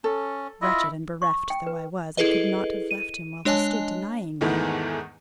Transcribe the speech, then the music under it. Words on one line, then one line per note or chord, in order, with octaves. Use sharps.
Wretched and bereft though I was, I could not have left him while he stood denying me.
C#4 A4
E4 F4 D#5
C#6
G5
B4
E4 G#4 A4 B4 D#5
D#7
G#3 D4 C#5 D#5 G#5 A5
E2 G#2 D#3 E3 A3 B3